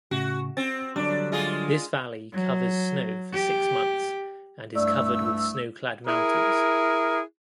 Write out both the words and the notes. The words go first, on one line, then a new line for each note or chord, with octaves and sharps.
This valley covers snow for six months and is covered with snow clad mountains.
A2 C#3 F#4
C4 A6
D3 F#3 G3 D4 D6
G#3 F4 G#4
F#3
G4
C2 G2 A3 D5 E6
E4 G#4 A#4